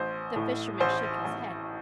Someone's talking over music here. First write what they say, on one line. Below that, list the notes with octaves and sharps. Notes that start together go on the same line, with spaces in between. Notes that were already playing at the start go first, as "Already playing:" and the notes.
The fisherman shook his head.
Already playing: A1 C5
A2
A1 C5
A1